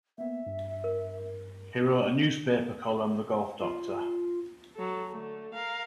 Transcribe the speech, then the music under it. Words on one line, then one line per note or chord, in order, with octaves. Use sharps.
He wrote a newspaper column, The Golf Doctor.
A#3 B3 E5
G2
A#4
F4
F#3 A4
D3 A3
A#4 F5